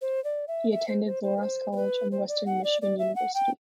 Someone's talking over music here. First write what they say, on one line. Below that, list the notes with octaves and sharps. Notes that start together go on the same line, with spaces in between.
He attended Loras College and Western Michigan University.
C5
D5
E5
E5
C5
C5
C5
B4
C5
C5
B4
C5
D5
F#5
D5
D5
E5
F#5
G5